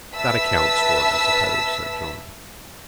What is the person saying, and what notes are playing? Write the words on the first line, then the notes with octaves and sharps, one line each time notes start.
"That accounts for it, I suppose," said Johnny.
B4 E5 A5 E6 B6